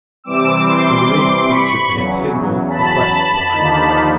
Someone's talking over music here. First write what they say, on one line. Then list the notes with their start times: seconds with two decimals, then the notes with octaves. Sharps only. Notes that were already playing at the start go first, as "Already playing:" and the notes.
The release featured the hit single Request Line.
0.24 C3 E3 G3 C4 D6 E6
0.65 C6 D6
1.47 B5 C#6
1.88 E2 C#3 F#3
2.70 A5 B5
3.52 D#2 D3 F3 A#3 D#4